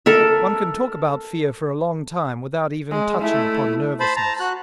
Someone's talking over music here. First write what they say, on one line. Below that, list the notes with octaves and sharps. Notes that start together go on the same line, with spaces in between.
One can talk about fear for a long time without even touching upon nervousness.
A4 A#4 E5
G#3
A3 E4
C5 A5 B5
A5 A#5
F#4 F#6